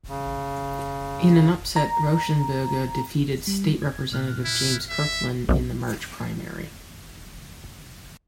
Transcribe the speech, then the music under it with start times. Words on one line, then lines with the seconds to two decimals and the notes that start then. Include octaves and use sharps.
In an upset, Rauschenberger defeated State Representative James Kirkland in the March primary.
0.09 C#3
1.76 A#5
3.47 G3
3.82 G#6
4.12 A#2 F6 F#6
4.45 E4
4.90 E5
5.49 B1 F#2